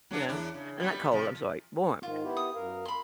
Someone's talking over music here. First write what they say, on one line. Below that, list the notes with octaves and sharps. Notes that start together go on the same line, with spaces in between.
You know? And not cold, I'm sorry, warm.
F#3 A#3 D4
E2 D4 E4
C#3
G3 B3
C3 F3
G#2 D#3 F4
B3 E4 G4
D#6
F#2 A#4 F5
B5 C6